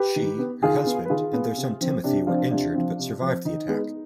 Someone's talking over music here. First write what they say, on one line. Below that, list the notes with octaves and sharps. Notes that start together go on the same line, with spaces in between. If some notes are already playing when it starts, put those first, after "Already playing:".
She, her husband, and their son Timothy were injured but survived the attack.
Already playing: G4 B4
D#3
B3
D#3 F4 G#4
B3
B4
D#3 F4 G#4
B3
C3
F3 C4
C3 D4
F3 C4 D4 F4
C3 D4 F4
F3 C4
C3
F3 C4
D#3 D#4
G#3 B3